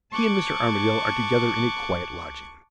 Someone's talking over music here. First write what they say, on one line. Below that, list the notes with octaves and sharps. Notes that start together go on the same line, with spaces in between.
He and Mr. Armadale are together in a quiet lodging.
A5 C#6 D6 F#6 G#6